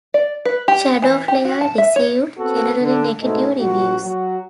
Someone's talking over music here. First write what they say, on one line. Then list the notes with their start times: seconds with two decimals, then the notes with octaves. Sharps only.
"ShadowFlare" received generally negative reviews.
0.14 D5
0.45 B4
0.68 G4
1.02 E3
1.28 G4
1.45 F#4
1.61 A5
1.78 E5
1.96 C#5
2.38 B3 C4 F#4 A4 B4
2.80 D3
3.22 G#2 B2 G#3 A3
3.59 A#1 A#2 F4 F#4
4.03 F#3 F#4